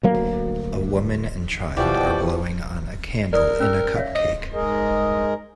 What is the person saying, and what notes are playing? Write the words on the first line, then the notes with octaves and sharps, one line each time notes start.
A woman and child are blowing on a candle in a cupcake.
D2 F#3 A#3
B2 E3 F3 F#4 G4 D5 G5 D6
A#4 D5 D#6
C#4 E6
C#5 E5 F5
D#5
G#2 G#3 G#4 A#4 D#5